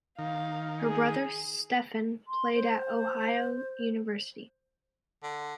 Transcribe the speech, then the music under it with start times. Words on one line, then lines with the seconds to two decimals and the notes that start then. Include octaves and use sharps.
Her brother, Stephen, played at Ohio University.
0.19 D#3 F5
0.82 G#4
2.26 C6
2.53 C5
5.23 D3